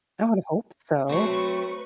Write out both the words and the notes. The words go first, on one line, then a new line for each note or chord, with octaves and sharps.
I would hope so.
F#3 A3 C4 B4 C#6